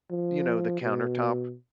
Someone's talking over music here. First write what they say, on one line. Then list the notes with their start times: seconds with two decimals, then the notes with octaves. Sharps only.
you know, the countertop
0.11 F3
0.81 B2